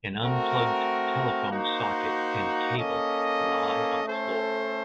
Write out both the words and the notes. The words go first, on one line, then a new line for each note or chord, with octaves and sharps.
An unplugged telephone socket and cable lie on the floor.
A3 C4 F#4 A#4
A#3 D#4 F#4 C5
A#3 C#4 A4 D#5
A3 C#4 A4 C5